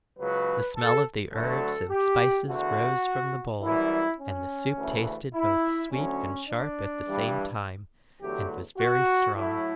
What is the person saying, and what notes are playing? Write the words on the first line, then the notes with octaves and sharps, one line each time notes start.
The smell of the herbs and spices rose from the bowl, and the soup tasted both sweet and sharp at the same time, and was very strong.
C#2 C#3 F#3 B4
A4
D2 D3 F#3 A3 A4
G4
E2 D3 A3 F#4
F#2 E3 G3 E4
C#4
D2 C#3 E3 A3
E4
D2 D3 F#3 C#4
D4
G2 E3 G3
E2 D3 F#3 A3 G4
F#4
A2 F#3 A3 E4